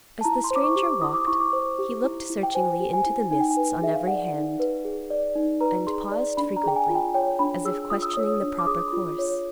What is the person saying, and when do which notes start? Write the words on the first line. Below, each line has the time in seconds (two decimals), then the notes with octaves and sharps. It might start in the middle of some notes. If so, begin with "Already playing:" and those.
As the stranger walked, he looked searchingly into the mists on every hand, and paused frequently as if questioning the proper course.
0.21 A5
0.24 E4 A#5
0.44 C6
0.51 C5
0.56 D6
0.63 C#6
0.76 G4
0.83 D6
1.01 E4 D#6
1.14 D6
1.27 E4 C#6
1.40 D6
1.53 C5
1.79 G4
2.04 E4
2.30 E4
2.43 G5
2.55 C5 G#5
2.80 G4
2.93 G#5
3.06 E4
3.31 D#4 G#5
3.40 G5
3.51 G#5
3.57 B4
3.82 G#4 E5
3.95 F5
4.07 D5 F#5
4.34 D#4
4.60 B4
4.85 G#4
5.10 D5
5.35 D#4
5.61 B4 A#5
5.87 G#4 C6
6.12 D5
6.37 D4 B5
6.56 A#5
6.64 G#4 G5
6.76 G#5
6.89 F4
6.95 G5
7.14 C#5 G5
7.39 D4 B5
7.65 G#4 E6
7.90 F4 D#6
8.02 E6
8.14 C#5 D#6
8.42 D4
8.59 D6
8.67 G#4 D#6
8.93 F4
9.19 C#5